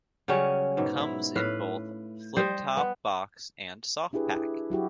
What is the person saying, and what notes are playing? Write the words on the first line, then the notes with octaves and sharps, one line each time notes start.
Comes in both flip-top box and soft pack.
C#3 F#3 G3 C#4
G#2 B2
E4
A2 B4 F5
G3 C5 D#5
B3
D4 E4 G4 G#4 B4
E4
F#3 E4 F#4 G4